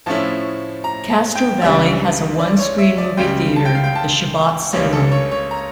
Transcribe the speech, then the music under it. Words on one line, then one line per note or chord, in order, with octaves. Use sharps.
Castro Valley has a one-screen movie theater, the Chabot Cinema.
A2 F3 A3 C#4 E4 A5
A#5
A5
G5
C#2 C#3 G3 D4 E5
D5
C#5
E5
D5
C#2 C#3 G3 G5
A5
G5
F5
G5
A5
C#2 C#3 G3 A#3 D4 C#5
A4
C#5
C#5
A#5